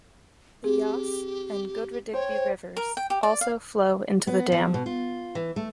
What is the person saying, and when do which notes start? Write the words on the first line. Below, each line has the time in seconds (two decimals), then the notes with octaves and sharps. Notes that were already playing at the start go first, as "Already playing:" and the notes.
The Yass and Goodradigbee rivers also flow into the dam.
0.64 C4 G4 G#4
2.13 C5 C#5 G5
2.77 A#4
2.97 G5
3.10 G4
3.23 D5
3.41 F5
4.27 B3
4.52 F3
4.74 B2
4.86 F4
5.35 E3
5.56 A3